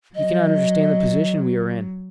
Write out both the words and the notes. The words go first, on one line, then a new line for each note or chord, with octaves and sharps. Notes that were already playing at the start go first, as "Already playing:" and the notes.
You cannot understand the position we are in.
F#3 D#5